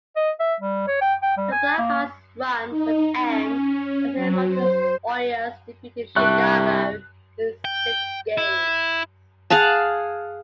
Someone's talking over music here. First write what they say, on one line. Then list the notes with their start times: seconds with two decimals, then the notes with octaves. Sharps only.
The Blackhawks run would end, as the Edmonton Oilers defeated Chicago in six games.
0.16 D#5
0.40 E5
0.60 G3
0.87 C#5
1.01 G5
1.22 G5
1.37 G3
1.52 G#5
1.78 A#3
2.70 D#4
3.18 C#4
4.14 F#3
4.47 C5
6.16 C2 G3 D4 E5 C#6 F#6
7.65 G5
8.38 E4
9.50 G#4 F5 F#5 A5